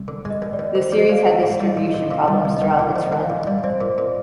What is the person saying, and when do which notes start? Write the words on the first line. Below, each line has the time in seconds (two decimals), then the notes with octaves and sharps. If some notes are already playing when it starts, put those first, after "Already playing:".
The series had distribution problems throughout its run.
Already playing: C2
0.08 D3
0.25 G#3
0.30 D#5
0.42 D#2
0.53 D5
0.59 D#2
0.75 D3 C5
0.92 F3 D5
0.99 D#5
1.10 G#3 F5
1.21 D#5
1.27 D2
1.43 G#2 F5
1.60 G3
1.66 D#5
1.77 A#1
1.89 D#5
1.94 A#1
2.11 C3 F5
2.28 G3
2.34 D#5
2.45 C2
2.57 D#5
2.62 C2
2.79 A#2 D5
2.96 F3
3.02 D#5
3.12 A#3
3.24 F5
3.30 A#1
3.47 G3 D5
3.64 C4 D5
3.69 C5
3.81 A#2
3.98 A#2